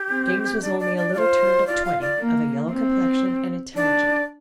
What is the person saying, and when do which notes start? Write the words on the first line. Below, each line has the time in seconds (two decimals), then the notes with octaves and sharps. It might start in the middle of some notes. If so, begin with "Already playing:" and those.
James was only a little turned of twenty, of a yellow complexion, and intelligent.
Already playing: G4
0.11 C4
0.62 D4 D5
0.80 D5
0.97 D5
1.14 F4 C5 D5
1.67 F4 D5
1.85 F5
2.01 D5
2.19 A#3
2.71 C4
3.76 D4 D5